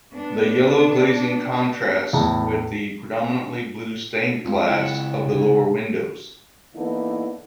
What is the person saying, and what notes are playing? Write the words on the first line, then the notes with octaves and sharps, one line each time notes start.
The yellow glazing contrasts with the predominantly blue stained glass of the lower windows.
B3 D4
E2 A2
G#3 C4 F4
C#3 E4 F#5
C3
D3 E3 A#3 B3 D#4 E4